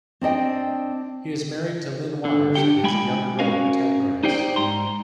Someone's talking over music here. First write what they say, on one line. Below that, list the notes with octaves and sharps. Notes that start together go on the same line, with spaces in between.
He is married to Lynne Waters and has a younger brother, Ted Grass.
C4 D4 D#5 G5
D3
D4 G4 F#5 G5
G#3 G5 G#5 B5
C#4 F#4 A#4 F5 G#5
D#4 G4 C5 D5 G5
G#2 A#5 C6